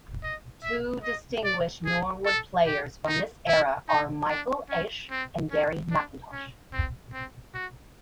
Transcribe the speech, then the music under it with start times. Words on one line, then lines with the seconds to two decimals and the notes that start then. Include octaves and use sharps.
Two distinguished Norwood players from this era are Michael Aish and Garry McIntosh.
0.23 D#5
0.63 E5
1.03 D#5
1.44 D5
1.86 G#4
2.25 A4
2.66 G4
3.07 D#4
3.48 E4
3.88 D#4
4.28 D4
4.69 C#4
5.10 C4
5.51 C#4
5.91 D4
6.32 C#4
6.73 C4
7.13 C4
7.54 F#4